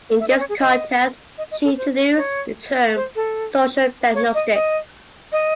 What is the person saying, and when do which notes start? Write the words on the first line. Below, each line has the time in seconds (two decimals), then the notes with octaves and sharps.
In this context she introduced the term “social diagnostics”.
0.20 E5
0.29 D#5
0.40 C#5
0.49 G#4
0.60 D#5
1.38 D#5
1.51 D#5
1.64 A4
1.77 C5
1.97 C#5
2.17 C#5
2.96 C5
3.16 A4
4.15 C#5
4.34 D#5
4.54 D#5
5.32 D#5